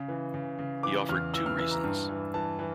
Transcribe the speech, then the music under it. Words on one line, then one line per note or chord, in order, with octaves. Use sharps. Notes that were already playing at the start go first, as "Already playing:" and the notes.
He offered two reasons.
Already playing: C#3
E3
C#3
C#3
E3 D6
E2 F6
E3 E6
F6
E3 E6
A#5
G2
E3
E3 A5
E3